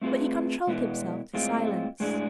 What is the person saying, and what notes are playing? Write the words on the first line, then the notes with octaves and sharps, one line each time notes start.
But he controlled himself to silence.
A3 C4 F4 G#4 B4
B2 G#3 B3 E4
A2 G#3 C4 F4
A2 G#3 D4 G#4